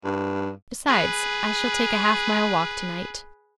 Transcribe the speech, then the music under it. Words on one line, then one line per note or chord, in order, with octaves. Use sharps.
Besides, I shall take a half-mile walk to-night.'
G2
G#4 B4